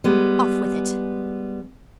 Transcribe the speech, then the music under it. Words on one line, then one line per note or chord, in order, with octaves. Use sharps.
Off with it.
G3 G#3 B3